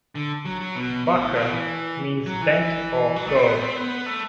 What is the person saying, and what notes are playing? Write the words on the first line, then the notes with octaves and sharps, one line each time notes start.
"Bakra" means bent or curved.
D3
F#3
F#3
B2
B2
A2
B2
E3
F#3
E3
F#3
A3
C4
B3
C4
B3
A3